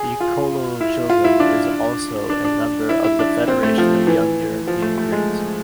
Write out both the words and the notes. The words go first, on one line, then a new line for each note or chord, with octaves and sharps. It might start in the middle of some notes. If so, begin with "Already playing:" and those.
Ecolojovem is also a member of the Federation of Young European Greens.
Already playing: G#4
F4
E4
F4
E4
D4
D4
D4
E4
E4
D4
C4
A3
F3
E3
F3
A3
A3
G#3